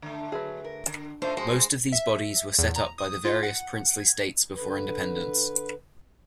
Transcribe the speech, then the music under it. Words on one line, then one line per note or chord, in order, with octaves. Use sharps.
Most of these bodies were set up by the various princely states before independence.
D3 A3
F#3 G#4 B4
A#4
D3 A5
A3 D4 D#4 F4 C5
G3 G#3 F#4 C5
E5
E2
A#5
D#6
F4
F#5
G#6
D3 B4